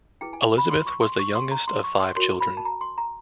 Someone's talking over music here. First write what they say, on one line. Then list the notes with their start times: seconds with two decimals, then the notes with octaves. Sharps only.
Elizabeth was the youngest of five children.
0.21 E4 G#4 B4 G5
0.33 G#5
0.58 B5
0.70 C6
0.87 C#6
1.03 C6
1.19 C#6
1.35 C6
1.51 A#5
1.68 C6
1.84 C#6
2.00 C6
2.16 F#4 A#4 C#5 C6
2.40 B5
2.57 A5
2.65 A#5
2.81 C6
2.98 A#5